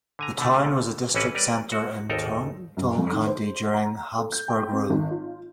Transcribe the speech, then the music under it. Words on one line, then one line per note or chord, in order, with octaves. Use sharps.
The town was a district center in Torontal County during Habsburg rule.
D3 G#5 A#5
B2 D3 A3
A1 E3 C4 C#4 F#4 B4
G3 A#4 B4 D5
F#4
G#1 D#2 D#4 A4 A#4
F#2
F2
D#3
C5
A#5
A4
G6
G5
C4
G#1
F4